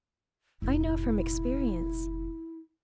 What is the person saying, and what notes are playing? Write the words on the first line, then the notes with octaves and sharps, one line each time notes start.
"I know from experience."
F1 A#1 E4